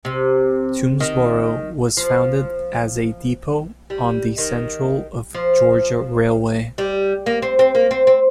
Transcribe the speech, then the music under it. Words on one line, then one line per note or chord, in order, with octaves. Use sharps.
Toomsboro was founded as a depot on the Central of Georgia Railway.
C3
D#3
F3
G3
D#3
F3
G3
A#3
C4
C4
A#3
C4
C4